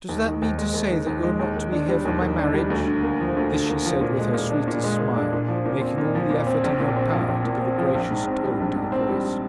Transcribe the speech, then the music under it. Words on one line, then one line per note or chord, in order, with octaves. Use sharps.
'Does that mean to say that you are not to be here for my marriage?' This she said with her sweetest smile, making all the effort in her power to give a gracious tone to her voice.
D#2
D#3
D#2
G#3
D#2
D#3
D#2
G#3
D#2
D#3
D4
G3
D#2
D#3
D4
G3
D2
D3
A#3
F3
D2
D3
A#3
F3
A#2
G#3
A#2
D4
A#2
G#3
A#2
D4
A#2
F3
A#2
C4
A#2
F3
A#2
C4
A#1
A#2
C4
F3
A#1
A#2
C4
F3
A#1
G#2
C4
G3
A#1
G#2
C4
G3